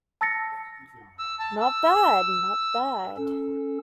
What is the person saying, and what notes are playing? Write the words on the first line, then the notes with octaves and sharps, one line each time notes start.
Not bad, not bad.
A5 E6 A6 A#6 C#7
E6
A5
E6
C#4 A4